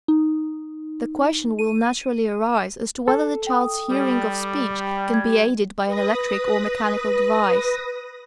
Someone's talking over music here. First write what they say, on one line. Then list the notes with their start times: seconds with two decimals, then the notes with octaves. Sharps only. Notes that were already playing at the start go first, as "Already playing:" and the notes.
The question will naturally arise as to whether the child's hearing of speech can be aided by an electric or mechanical device.
0.08 D#4
1.59 D#7
3.08 A4
3.47 G5 D#6
3.90 G3
5.14 G#6
5.87 B4 D#6 A#6